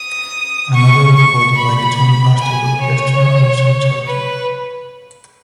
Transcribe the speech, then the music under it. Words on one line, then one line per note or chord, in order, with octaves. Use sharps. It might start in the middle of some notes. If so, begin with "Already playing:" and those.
Another recording by the Tony Pastor orchestra also charted.
Already playing: D#6
C#6
C#6
B5
G#5
C#5
B4